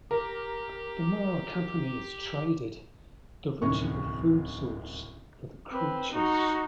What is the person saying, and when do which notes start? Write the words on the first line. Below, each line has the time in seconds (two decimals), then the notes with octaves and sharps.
The more a company is traded, the richer the food source for the creatures.
0.11 G4 A#4
3.62 D1 C2 F2 D#3 C#4 C#6
5.71 C4 B4
6.12 D#4 F#4